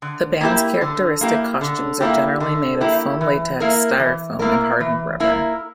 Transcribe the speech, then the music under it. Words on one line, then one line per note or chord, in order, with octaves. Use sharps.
The band's characteristic costumes are generally made of foam latex, styrofoam, and hardened rubber.
D3
A#3 E4 G4
D3
A#3 E4 G4
D3
A#3 E4 G4
D3
A#3 E4 G4
E3
A#3 E4 A#4
E3
A#3 E4 A#4
E3
A#3 E4 A#4